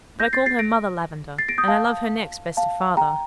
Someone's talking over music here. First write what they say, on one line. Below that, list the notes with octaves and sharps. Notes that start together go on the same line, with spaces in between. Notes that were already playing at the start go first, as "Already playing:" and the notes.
But I call her 'Mother Lavendar' and I love her next best to father.
G6 A#6
A6 C7
A6 C7
A#6 D7
A6 C7
A#6 D7
D#6 G6
F5 A5
F5 A5
G5 A#5